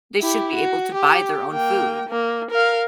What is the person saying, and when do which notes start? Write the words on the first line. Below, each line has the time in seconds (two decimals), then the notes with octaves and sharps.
They should be able to buy their own food.
0.20 E4 G4
0.55 F#4
0.94 G4
1.51 A#3 G5
2.09 A#3
2.51 A#4 F5